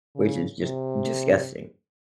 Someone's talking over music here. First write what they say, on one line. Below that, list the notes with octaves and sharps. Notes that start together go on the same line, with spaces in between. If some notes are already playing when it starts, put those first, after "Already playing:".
Which is just, disgusting.
C#3
C3